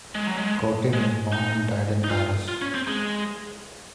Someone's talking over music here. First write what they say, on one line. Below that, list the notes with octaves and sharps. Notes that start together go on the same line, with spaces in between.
Cotin was born and died in Paris.
G#3
F#3
G#3
G#3
D#4
D#4
F4
F4
C#4
C4
G#3